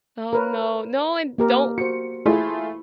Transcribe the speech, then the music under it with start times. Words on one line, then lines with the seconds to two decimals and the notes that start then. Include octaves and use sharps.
Oh, no. No, and don't
0.33 A#4 B4 C#5
1.38 A#3 G4 A#4
1.78 F#4 C5 C#7
2.26 A3 E4 F4 G#4